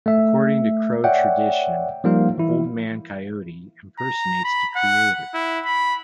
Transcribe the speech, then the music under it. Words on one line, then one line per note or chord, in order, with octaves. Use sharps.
According to Crow tradition, Old Man Coyote impersonates the Creator.
A3 E5
C#5 D5 E5 F#5 G5
F3 G3 A#3 D#4 F4 F5
E3 E4
A#5
B5
F#5
E4
B5